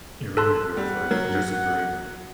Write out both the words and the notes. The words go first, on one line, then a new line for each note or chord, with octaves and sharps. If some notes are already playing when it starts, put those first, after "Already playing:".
It really does, like, just grinding.
A4 A5 C6 F#6
G3 F#5
F#3 A#4